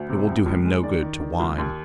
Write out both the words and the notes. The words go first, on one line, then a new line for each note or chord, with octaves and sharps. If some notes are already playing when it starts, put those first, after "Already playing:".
It will do him no good to whine.'
Already playing: D2
C3
C#2
C#2
G#3
D#3 D5
D#3
D#3
C#2
D#2